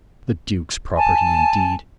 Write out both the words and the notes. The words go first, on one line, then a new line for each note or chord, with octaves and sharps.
The Duke's property, indeed!
G#5 A5